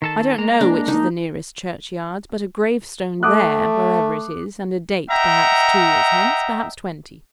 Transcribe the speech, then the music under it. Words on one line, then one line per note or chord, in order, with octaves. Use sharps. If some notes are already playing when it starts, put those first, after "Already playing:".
I don't know which is the nearest churchyard, but a gravestone there, wherever it is, and a date, perhaps two years hence, perhaps twenty.
D#3 A4 A5
G#3 A#3 A#5
D4
D#4
A3 D6 D#6 F#6
D#5 E5 F#5 G5 A#5